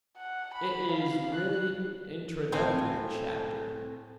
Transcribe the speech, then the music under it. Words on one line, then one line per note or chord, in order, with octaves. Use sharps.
It is really an introductory chapter.
F#5
B5
F5
F#6
A2 C4 F5 G#5